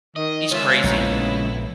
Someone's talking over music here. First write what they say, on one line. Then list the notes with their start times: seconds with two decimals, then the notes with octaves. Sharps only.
He's crazy.
0.16 D#3 D#5
0.51 C#2 F4 C#5 E5
0.84 A#1 A3 B3 E4